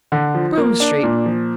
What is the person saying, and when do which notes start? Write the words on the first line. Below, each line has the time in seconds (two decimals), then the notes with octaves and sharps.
Groome Street.
0.12 D3
0.34 F3
0.57 A#3
0.80 D4
1.03 A#2
1.26 F3